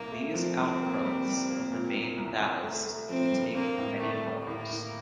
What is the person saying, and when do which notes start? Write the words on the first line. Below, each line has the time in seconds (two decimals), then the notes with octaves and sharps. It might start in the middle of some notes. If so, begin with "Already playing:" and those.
These outgrowths of the main thallus can take many forms.
Already playing: C2 A#3
0.12 A3
0.34 F3 C4
0.57 C2
0.81 A#3
1.03 G3
1.26 G3
1.49 A#3
1.72 A#2
1.95 C2
2.18 C2
2.40 C2
2.63 A3
2.86 A3
3.09 F3 C4
3.31 G2
3.55 A#3 C4
3.78 A2
4.00 A2 A3
4.23 G3
4.46 A2 A#3
4.69 A2